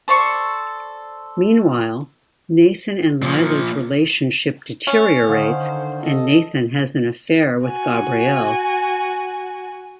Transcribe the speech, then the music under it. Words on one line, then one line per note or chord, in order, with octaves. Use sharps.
Meanwhile, Nathan and Lila's relationship deteriorates and Nathan has an affair with Gabrielle.
A4 C5 D5 C#6
A#2 F3
C#4
D3 D#3 C5 F5 F#5 D#6
A4 D#5
F#4 G#5